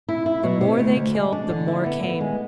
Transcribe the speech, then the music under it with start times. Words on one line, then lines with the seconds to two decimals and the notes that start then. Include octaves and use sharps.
The more they killed the more came.
0.09 E4
0.26 E4
0.43 B2
0.61 C3
0.79 D2
0.96 D2
1.15 G#3
1.32 D4
1.50 D3
1.68 E4
1.86 B3
2.03 B3
2.21 G#3